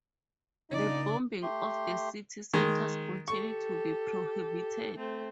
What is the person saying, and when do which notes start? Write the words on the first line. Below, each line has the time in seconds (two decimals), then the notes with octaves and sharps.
The bombing of the city centers continued to be prohibited.
0.71 A#2 C#3 D4 D#4 D5
1.43 A3 G4 C6
2.53 D#3 G#3
3.28 G4 A4 C#6
4.97 A3 C4